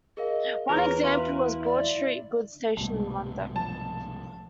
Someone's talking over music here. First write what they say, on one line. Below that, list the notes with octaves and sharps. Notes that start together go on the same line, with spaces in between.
One example was Broad Street goods station in London.
G#4 A#4 D#5 F5
E2 F4 G#4 A#4 B4 C#5
E4 F#4 F5 C6
D5
C2 G#2 B2 G3 A3
F3 A5